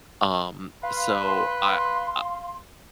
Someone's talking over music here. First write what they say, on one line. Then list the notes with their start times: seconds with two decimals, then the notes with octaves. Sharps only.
Um, so I I
0.83 B4 F5 C6